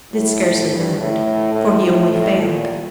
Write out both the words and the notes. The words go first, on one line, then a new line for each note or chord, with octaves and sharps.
But it scarcely mattered, for he only failed.
A2
G2
A2
A2
A2
A2
A#2